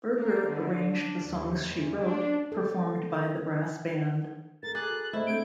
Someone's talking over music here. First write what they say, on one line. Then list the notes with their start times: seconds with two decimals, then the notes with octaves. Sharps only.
Berger arranged the songs she wrote, performed by the brass band.
0.18 A#3
0.48 D3
0.92 D4
1.30 D#2
1.66 E2
2.02 D4
2.52 A4
4.63 A4 A#4 A6
4.75 G#4 D6 F#6
4.89 F#4 A6
5.13 A3 E4 C5 D#5 E5
5.27 A3 C4 D4 G6 G#6 D7 G7